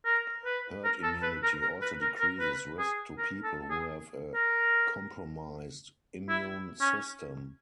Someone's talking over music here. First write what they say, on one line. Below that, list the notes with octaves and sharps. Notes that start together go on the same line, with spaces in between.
Herd immunity also decreases risk to people who have a compromised immune system.
A#4
B4
A#4
A4
B4
A#4
A#4
B4
A#4
A#4
B4
G#4
A#4
A4
G#4
A#4
E4
C#4